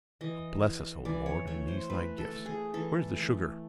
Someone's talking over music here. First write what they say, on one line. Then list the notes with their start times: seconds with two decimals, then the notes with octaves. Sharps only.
Bless us, O Lord, and these thy gifts. Where's the sugar?
0.21 E3 D#5
0.63 E3
1.05 E3 D5
1.26 C#5
1.47 A3 C#5
1.68 C5
1.89 A3 B4
2.18 A4
2.32 A3
2.46 G#4
2.74 E3 A4
3.16 A3